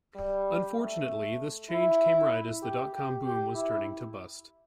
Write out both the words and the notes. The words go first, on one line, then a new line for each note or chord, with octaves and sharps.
Unfortunately, this change came right as the dot-com boom was turning to bust.
G3
A3
E4
G4
G4
G4
E4